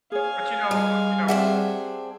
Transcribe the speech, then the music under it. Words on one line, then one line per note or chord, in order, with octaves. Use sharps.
But, you know, uh, you know
G#4 C#5 F5 G#5
G3 G#3
C4 D4 G#4 E5 F#5